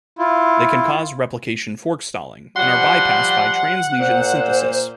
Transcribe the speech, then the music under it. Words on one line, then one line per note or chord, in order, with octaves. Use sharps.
They can cause replication fork stalling and are bypassed by translesion synthesis.
E4 F4
F3 G3 F#5 C6
A#2 C5